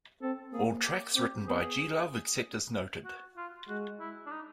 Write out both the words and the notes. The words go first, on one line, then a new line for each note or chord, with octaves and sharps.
All tracks written by G. Love except as noted.
C4 A4
A#3 G#4
G4
C4 G4
B3 G#4
F#4
F4
G#3 F#4
E4
D4
D#4